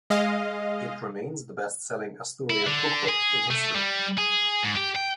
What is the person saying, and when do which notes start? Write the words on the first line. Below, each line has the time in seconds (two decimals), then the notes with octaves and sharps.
It remains the best selling Asturian cookbook in history.
0.10 G#3 D#5 F5
2.50 E4
2.67 D3
3.09 G#4
3.51 A3
3.75 G3
4.18 G#4
4.64 G#2
4.77 G4
4.96 G5